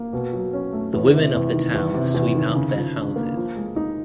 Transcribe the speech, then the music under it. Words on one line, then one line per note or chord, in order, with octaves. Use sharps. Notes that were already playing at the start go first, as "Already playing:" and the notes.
The women of the town sweep out their houses.
Already playing: A#3
B2
F#3
C#4
A3
E2
C3
E2
D#3
E2
C3
E2
D#3
C#3
F3
D4
A#3
F3
G#3
D#4